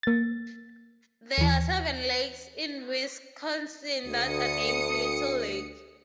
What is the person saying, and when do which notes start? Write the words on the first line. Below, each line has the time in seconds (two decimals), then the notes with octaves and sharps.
There are seven lakes in Wisconsin that are named Little Lake.
0.03 A#3 A6
1.38 D#2 E3
4.05 D2 D#6 C#7